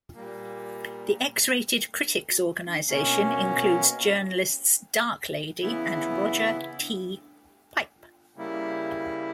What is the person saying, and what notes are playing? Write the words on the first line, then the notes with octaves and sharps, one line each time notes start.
The X-Rated Critics Organization includes journalists: Darklady and Roger T. Pipe.
A#2 G3 A#3
B2 A#3 C#4
C#3 E3 B3 E4
C#3 G3 A#3 E4